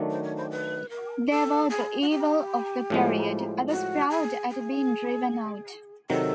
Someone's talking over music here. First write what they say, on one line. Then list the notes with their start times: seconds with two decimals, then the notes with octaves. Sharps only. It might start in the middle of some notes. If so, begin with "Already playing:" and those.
They were the evil of the period; I was proud at being driven out.
Already playing: D#3 F#3 A3 D4
0.11 C5
0.23 C#5
0.37 C5
0.51 B4
0.90 A#4
1.30 A4
1.70 G#4
2.02 F#4
2.10 G4
2.90 A2 F3 G#3
3.70 F#4
4.10 G#4
4.50 G#4
6.10 C3 D#3 F#3 A4